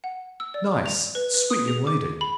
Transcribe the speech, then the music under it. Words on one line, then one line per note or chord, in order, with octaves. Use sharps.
"Nice, sweet young lady."
F#5
E6
D5
F7
B4
B4
D#6
G#4
D6
B5